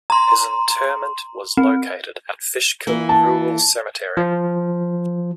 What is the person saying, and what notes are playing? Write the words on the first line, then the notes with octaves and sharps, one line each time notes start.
His interment was located at Fishkill Rural cemetery.
A#5 C6
C4
E3 A#3
A5
F3